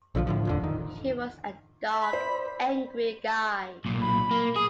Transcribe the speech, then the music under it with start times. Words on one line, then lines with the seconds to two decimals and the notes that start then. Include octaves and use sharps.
He was a dark, angry guy.
0.15 A#1 D3 E3 F3
0.27 A2 D3 F3
0.45 D#1 F2 D3
0.64 D#3
1.89 E5
2.01 B5
2.13 C5 D5
3.85 B1 A#2
4.02 B5
4.31 A#3
4.56 G#4 D#6